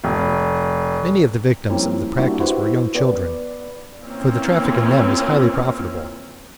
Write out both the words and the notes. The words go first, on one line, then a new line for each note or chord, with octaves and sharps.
Many of the victims of the practice were young children, for the traffic in them was highly profitable.
F1
F3 G3 A#3 C4 C#4 E4
G3 A#3 D4 E4 F#4
E4 F#4 G4 B4 C5
B3 B4 D5
E3 A#3 C4 C#4 F4